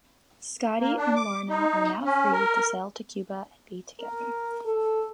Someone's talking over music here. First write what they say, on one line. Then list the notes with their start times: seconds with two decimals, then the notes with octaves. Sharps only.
Scotty and Lorna are now free to sail to Cuba and be together.
0.79 A#3
0.97 D4
1.16 D6
1.49 D#4
2.04 C#4
2.32 A#4
4.00 A#4
4.65 A4